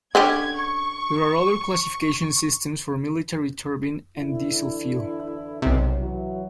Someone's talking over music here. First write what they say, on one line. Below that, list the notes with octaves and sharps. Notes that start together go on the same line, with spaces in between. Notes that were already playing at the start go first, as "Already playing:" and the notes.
There are other classification systems for military turbine and diesel fuel.
D3 C#4 G4 G#6
C#6
D3 E3 E4
B1 F#2 C3
E3 F#3